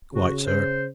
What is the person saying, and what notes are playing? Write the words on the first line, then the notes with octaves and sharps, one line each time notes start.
"Quite, sir."
C#3 F#4
C5